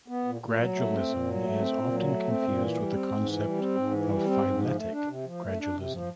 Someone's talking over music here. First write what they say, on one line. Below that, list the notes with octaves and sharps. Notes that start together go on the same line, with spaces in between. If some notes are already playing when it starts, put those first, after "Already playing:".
Gradualism is often confused with the concept of phyletic gradualism.
B3
A#2
A#2
F#3
A3
C4
A#2
F#3
A3
C4
A#2
F#3
A3
C4
A#2
E3
G3
C4
G#2
E3
G3
C4
G#2
E3
G3
C4
G#2
F3
A3
D4
C3
F3
A3
D4
C3
F3